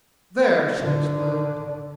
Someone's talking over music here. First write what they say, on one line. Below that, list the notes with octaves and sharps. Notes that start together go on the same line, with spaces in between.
"There!" she exclaimed.
D3